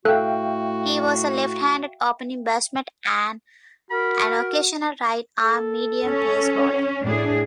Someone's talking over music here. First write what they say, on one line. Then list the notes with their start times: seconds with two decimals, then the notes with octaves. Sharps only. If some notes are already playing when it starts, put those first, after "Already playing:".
He was a left-handed opening batsman and an occasional right-arm medium-pace bowler.
0.05 A2 F#4 A4 E5 F5 G5 F#6
3.91 F#4 A#4 B5
5.41 A4
6.07 C#4
7.03 A2 D4 G#4